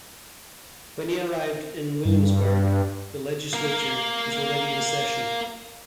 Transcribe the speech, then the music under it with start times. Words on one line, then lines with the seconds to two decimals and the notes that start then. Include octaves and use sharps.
When he arrived in Williamsburg, the legislature was already in session.
2.05 G2
3.54 A#3 A#4